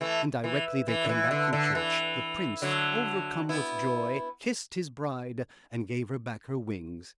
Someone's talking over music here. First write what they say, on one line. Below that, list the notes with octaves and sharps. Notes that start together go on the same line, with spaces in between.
And directly they came back from church the prince, overcome with joy, kissed his bride, and gave her back her wings.
E3 A3
E3
E3
D3
E3
D3
D3
E3
D3 F#3
B3 E4